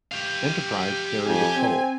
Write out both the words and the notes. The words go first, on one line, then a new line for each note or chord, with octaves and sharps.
"Enterprise" carried of coal.
G4 F5
F2 G#5
C4